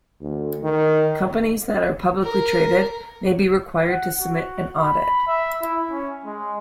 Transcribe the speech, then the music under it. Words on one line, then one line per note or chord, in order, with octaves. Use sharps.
Companies that are publicly traded may be required to submit an audit.
D2
D#3
A#4
F#5
F#4
B5
E5
E4
C#4
G#3